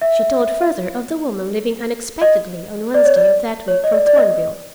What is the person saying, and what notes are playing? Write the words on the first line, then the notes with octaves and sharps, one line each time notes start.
She told further of the woman leaving unexpectedly on Wednesday of that week from Thornville.
E5
D#5
D5
C#5
D5
C#5
D#5
D5
D5
D#5